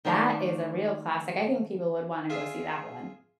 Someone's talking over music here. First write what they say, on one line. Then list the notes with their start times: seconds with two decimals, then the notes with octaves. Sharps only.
That is a real classic. I think people would wanna go see that one.
0.05 D#3 A3 C5 D5 A#5
2.30 F4 G#4 E5